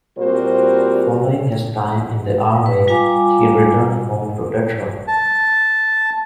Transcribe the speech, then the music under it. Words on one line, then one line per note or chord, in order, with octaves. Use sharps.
Following his time in the Army, he returned home to Detroit.
A#2 G3 C4 F#4 A#4 C5
B4
G3 F4 F5 G#5 A#5 D6
A5